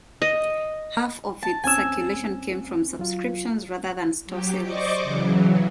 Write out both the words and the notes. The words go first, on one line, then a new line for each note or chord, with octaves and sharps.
Half of its circulation came from subscriptions rather than store sales.
D#5
A5
D#2 C4 C#4 G#5 E6
F#3 F4
F#3 G4
C5 D5 D#5 C#6 D6
C#3 E3 F#3